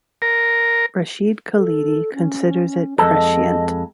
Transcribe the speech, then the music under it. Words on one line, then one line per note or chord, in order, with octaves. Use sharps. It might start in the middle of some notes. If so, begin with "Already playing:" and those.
Rashid Khalidi considers it "prescient".
A#4
A4
C#4
F2 G#3 A4 D#5